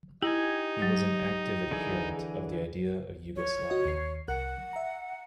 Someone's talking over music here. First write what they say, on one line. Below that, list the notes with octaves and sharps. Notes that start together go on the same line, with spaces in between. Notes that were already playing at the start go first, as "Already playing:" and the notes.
He was an active adherent of the idea of Yugoslavia.
D#4 E4 G4 G#5
F#3
D3 E3 G#4
C#5
F#4 D#5
D#2 C7
C2 A#4 F#5 F#6
E5 A#5